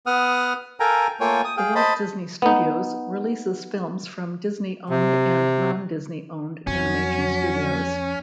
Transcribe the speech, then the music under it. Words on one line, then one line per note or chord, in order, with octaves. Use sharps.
The Walt Disney Studios releases films from Disney-owned and non-Disney owned animation studios.
B3 F#5 D#6 F6
A4 A#4 F5 G5 G#5 A#5
A3 A#3 F4 C#5 G5 G#5
D#6
G#4 F5 G5
C5 D#5 A5 B5
B3 D#4
C3
F2 F#3 C#4